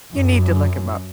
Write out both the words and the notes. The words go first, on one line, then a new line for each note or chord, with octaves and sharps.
You need to look him up.
F#2